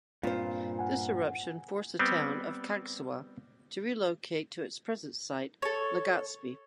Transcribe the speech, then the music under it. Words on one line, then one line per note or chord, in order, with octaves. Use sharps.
This eruption forced the town of Cagsawa to relocate to its present site, Legazpi.
G2 A#2 C4 F4 C5
F#5 G#5
G3 B3 C4
A4 C#5